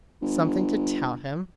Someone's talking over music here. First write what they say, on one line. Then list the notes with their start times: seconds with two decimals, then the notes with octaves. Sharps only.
"Something to tell him?"
0.22 G1